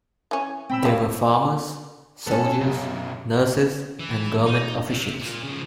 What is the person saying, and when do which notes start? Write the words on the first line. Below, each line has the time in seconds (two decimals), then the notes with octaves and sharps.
They were farmers, soldiers, nurses, and government officials.
0.31 E3 C#4 G#5
0.69 C4 G5 B5 E6
0.85 F#3 G3 C#5 D5 F5
2.27 B3 C#4 A4
2.61 B1 F#2
4.00 E3
4.46 D#4
4.90 C3
5.20 A#2
5.43 C#3 F3